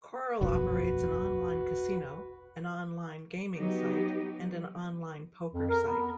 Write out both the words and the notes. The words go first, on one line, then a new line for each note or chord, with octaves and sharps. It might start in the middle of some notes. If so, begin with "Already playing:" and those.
Coral operates an online casino, an online gaming site, and an online poker site.
E1 A#1 F#2 F#4 B4
F#3 B3 D#4 G4
F2
A#4
B3